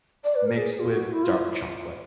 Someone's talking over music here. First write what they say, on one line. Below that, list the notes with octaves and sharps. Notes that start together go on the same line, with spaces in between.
mixed with dark chocolate.
D5
B4
A#4
G#4
F4
F#4
E4
F4